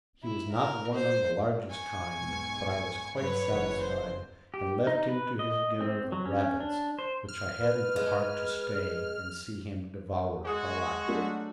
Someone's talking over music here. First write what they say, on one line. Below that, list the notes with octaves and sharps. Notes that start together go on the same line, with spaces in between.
He was not one of the largest kind, but I was quite satisfied, and left him to his dinner of rabbits, which I hadn't the heart to stay and see him devour alive.
E4
A#4
C5
G#5 C#6
B1 G#2
G2 D3 F#3 B4 C#5
F#1 E3 F#3
C5
G4
D#4
B4
D#5
C4
F#3
C#4
D4
C5
F6
B4
G#3
G#3 F#4 G#4 D#6
F#3 A3 D4